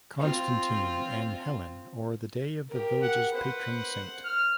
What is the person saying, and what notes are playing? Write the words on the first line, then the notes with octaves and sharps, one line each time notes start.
Constantine and Helen or the day of the village's patron saint.
C4 F4
G4 A#4
F#5
B4 C5 F#5
F6